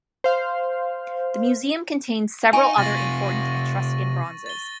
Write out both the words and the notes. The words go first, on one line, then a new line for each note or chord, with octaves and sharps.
The Museum contains several other important Etruscan bronzes.
C5 F5
D#4 G#5 C#6 D#7
C3 F4 A6 A#6 F#7
A6 G7